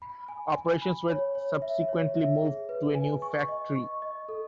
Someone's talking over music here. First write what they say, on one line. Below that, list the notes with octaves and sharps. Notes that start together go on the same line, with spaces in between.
Operations were subsequently moved to a new factory.
B5
G#5
G#5
B5
C#5
C#5
E5
C#5
E5
G#4
B4
G#5
C#6
D#5
C#6
D#5
A4